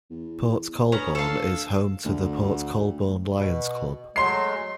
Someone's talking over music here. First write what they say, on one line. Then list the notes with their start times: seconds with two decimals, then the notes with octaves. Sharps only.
Port Colborne is home to the Port Colborne Lions Club.
0.10 E2
0.92 D2 B3 C#4 A#5
1.15 A4 F5
2.05 D2
3.35 B2
4.16 F#3 G#3 A3 C6 C7